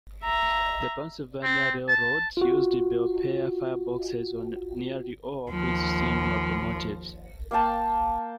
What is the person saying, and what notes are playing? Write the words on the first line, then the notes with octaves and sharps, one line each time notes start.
The Pennsylvania Railroad used Belpaire fireboxes on nearly all of its steam locomotives.
E5 A#5
C4
A5
F4 F#4
D#2 F3
A#3 F5 G5 A5